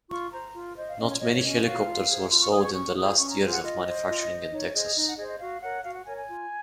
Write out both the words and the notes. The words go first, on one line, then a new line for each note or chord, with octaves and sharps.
Not many helicopters were sold in the last years of manufacturing in Texas.
F4 C#6
C5 A#5
F4
C5 D#5
F5
C#4 D#5
C#5
F#4 C#5 D#5
C#5
C#4 D#5
F#4 C#5 F5
F4
G#4 C5
F4 C6
C#6
G#4 C5 D#6
C#6
C#4 C#6
F4 G#4 C5 D#6
C#4 C#6
A#5
F4 G#4 C5
F#5
F4 D#5
C5
F4
C5
D#4 C#5
G#4 C5 D#5
D#4
F#5
G#4 C5 D#5
D#5
F#4 F5
A#4 C#5 F#5
F#4 F5
F#5
A#4 C#5 G#5
G#5
F4